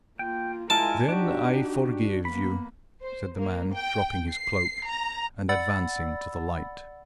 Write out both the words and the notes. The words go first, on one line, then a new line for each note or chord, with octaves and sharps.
"Then I forgive you," said the man, dropping his cloak, and advancing to the light.
A#3 F4 G5
G#3 E4 F4 A#4 G#5 A5
D4 D#4 F#4 G4
A#3 B3 B5
C5
A#3
G5
C7
A#5
D5 F#5 B5 E6 A6